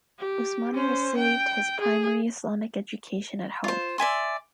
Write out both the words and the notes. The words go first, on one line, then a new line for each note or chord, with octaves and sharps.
Usmani received his primary Islamic education at home.
G4
C#4 C5
G5
G#4
F4 C5
D5 E5 G#5 C6